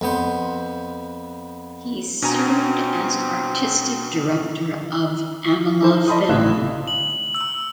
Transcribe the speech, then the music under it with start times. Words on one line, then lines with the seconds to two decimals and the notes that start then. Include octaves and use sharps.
He served as artistic director of Avala Film.
0.01 F2 B3 C5
2.22 B2 C4 D4 G#5 A#5
5.82 D#4 A4 C5
6.08 D5 D#5 A5 B5 C6 D#6
6.29 A1 A3 E4 F5 F#6 E7
6.87 F#7
7.35 E6